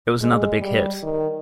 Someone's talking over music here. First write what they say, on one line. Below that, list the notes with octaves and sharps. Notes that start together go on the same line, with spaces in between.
It was another big hit.
G#3
G3
D#3